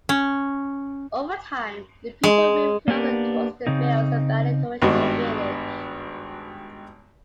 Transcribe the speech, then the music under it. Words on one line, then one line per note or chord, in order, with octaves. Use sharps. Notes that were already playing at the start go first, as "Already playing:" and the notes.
Over time, the people moved closer towards the fields, abandoning the original village.
C#4
G#3
A#3 B3 D4 G4 A#4
C#3 C4 D#4
G#1 G2 B3 F#4 D#5